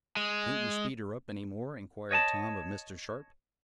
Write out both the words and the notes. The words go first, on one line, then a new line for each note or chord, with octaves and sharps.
"Can't you speed her up any more?" inquired Tom of Mr. Sharp.
G#3
C#5 D#5 G#5 A5